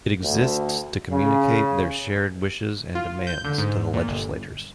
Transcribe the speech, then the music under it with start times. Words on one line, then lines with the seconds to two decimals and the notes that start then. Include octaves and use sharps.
It exists to communicate their shared wishes and demands to the legislators.
0.23 D2
1.11 C#3
2.95 F4
3.27 G6
3.44 D3
3.58 G#2
3.94 A#2
4.08 G1